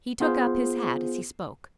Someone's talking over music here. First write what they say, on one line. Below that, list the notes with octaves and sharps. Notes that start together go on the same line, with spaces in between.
He took up his hat as he spoke.
B3 F4 G#4 C5